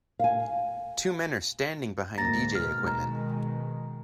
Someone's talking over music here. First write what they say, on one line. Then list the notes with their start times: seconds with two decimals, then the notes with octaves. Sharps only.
Two men are standing behind dj equipment.
0.19 F5 G#5
2.18 D2 G#2 A#3 A#5 A6 A#6
2.55 B2 D#3 G#3 F6
2.87 A#5